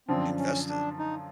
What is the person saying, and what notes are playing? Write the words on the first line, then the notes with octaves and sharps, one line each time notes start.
Invest it.
F#2 D3 F3 C4
C#4
D4
D#4